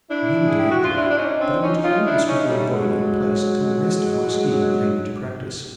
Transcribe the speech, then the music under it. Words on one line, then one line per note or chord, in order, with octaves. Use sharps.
"None, directly; but it would hold the struggling body in place till the rest of my scheme came into practice."
D4 E4
G#4
G4
F#4
F4
D4 E4
D4
C#4 D#4
C4 D4
C#4 D#4
D#4 F4
D4 E4
C#4 D#4
G3 A3
F#3 G#3